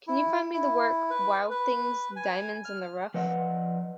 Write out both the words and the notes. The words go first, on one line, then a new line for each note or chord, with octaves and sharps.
Can you find me the work, Wild Things: Diamonds in the Rough?
E4
E4
B4
B4
G#5
F6
F3 B4 D5 D#5 F#5